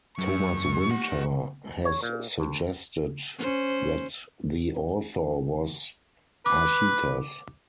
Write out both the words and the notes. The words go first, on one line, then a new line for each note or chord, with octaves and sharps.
Thomas Winter has suggested that the author was Archytas.
F#2 C#6
G4 F#5
C#5
A#2
D2
C#4 C5
B4 D6